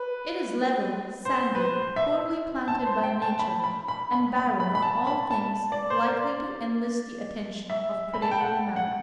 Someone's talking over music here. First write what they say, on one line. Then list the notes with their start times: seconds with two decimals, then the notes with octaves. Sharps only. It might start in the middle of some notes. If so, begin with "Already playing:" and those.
It is level, sandy, poorly planted by nature, and barren of all things likely to enlist the attention of predatory man.
Already playing: B4
1.25 C5
1.55 B4
1.60 C5
1.96 E5
2.68 A5
2.86 C5
3.04 G5
3.22 A5
3.39 B5
3.64 B5
3.88 B5
4.12 B5
4.37 B5
4.60 B5
4.75 B5
4.82 A5
5.07 B5
5.31 A5
5.72 D5
5.90 C5
6.08 D5
7.70 E5
8.14 B5
8.22 A5
8.31 G5
8.40 F#5
8.76 F#5